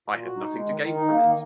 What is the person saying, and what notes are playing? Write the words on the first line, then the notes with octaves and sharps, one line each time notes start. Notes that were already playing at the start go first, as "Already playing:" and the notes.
I had nothing to gain from it.
A#2
F#4
D#4
G#3
D#3
D#3
D#4
A#3
D#3